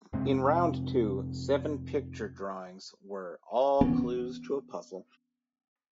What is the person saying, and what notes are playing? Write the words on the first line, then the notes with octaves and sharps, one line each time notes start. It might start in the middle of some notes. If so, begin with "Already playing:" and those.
In round two, seven picture drawings were all clues to a puzzle.
F2 C3 G#3 C4
E3 B3 C#4